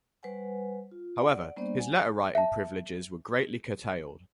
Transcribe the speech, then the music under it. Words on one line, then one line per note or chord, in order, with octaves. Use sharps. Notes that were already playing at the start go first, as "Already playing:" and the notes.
However, his letter-writing privileges were greatly curtailed.
G3 B4 C5 F#5 G#5
F4
D5 F#5
G3 A#3 B3 D4 C5 D5
F#5 G#5
E5 A5